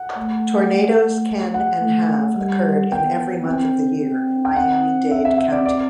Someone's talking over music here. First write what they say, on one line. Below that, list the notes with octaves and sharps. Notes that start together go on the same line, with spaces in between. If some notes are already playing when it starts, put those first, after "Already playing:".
Tornadoes can and have occurred in every month of the year in Miami-Dade County.
Already playing: F#5
A3
F#5
A3
G3
B3 G5
C4
C4
G5
C4 F#5
E5
E5
E5
D5
D5